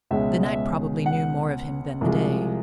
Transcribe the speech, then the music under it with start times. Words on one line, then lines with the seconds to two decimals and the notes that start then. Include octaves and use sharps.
The night probably knew more of him than the day.
0.11 C#2 B2 G#3 C#4 E5
0.43 E5
1.06 F#5
2.01 C2 C3 F3 G#3